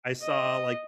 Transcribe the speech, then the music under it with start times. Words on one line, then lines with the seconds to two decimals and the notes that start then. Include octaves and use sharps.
I saw like
0.23 D#5